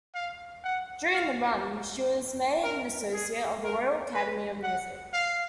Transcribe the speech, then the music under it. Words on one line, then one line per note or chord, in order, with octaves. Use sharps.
During the run, she was made an Associate of the Royal Academy of Music.
F5
F#5
F5
A#4
G#4
A#4
B4
F#5
F5